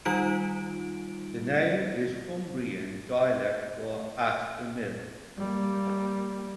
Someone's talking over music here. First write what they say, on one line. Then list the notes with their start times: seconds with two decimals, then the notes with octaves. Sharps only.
The name is Cumbrian dialect for "At the mills".
0.05 D#3 G3 D#4 F4 D7
5.38 G3 A#3